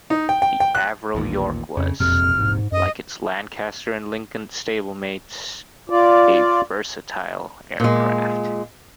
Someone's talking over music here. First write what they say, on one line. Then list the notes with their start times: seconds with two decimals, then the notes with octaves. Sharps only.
The Avro York was, like its Lancaster and Lincoln stablemates, a versatile aircraft.
0.10 D#4
0.29 G5
0.42 G5
0.60 G5
0.75 F#6
1.15 A1 D#2 A#2
1.77 F2 C#3
2.00 E1 A#1 F2 C3 F6
2.39 G#2
2.72 F#2 D#5
5.90 F4 D5
7.80 A#2 G#3